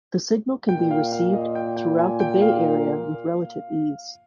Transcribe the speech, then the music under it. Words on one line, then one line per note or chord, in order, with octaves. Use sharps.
The signal can be received throughout the Bay Area with relative ease.
A#2 G5
F5
F5
D#5
G5
G5
G#5
G5
F5